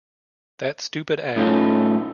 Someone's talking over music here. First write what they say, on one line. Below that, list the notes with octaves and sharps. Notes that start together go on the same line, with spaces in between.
That stupid ad.
A2 A3 C#4 D#4 F4